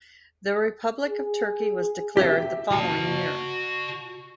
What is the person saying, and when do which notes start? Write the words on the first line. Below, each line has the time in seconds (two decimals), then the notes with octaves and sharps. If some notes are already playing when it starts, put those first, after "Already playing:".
The Republic of Turkey was declared the following year.
1.08 G#4
2.17 G4 E5
2.71 F#4 A5